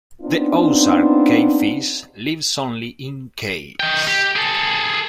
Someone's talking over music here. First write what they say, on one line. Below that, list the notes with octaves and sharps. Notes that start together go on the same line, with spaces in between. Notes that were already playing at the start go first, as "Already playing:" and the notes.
The Ozark cavefish lives only in caves.
B3 C4 D4 D#4 F4
D#5 G5
G4
G#4 A4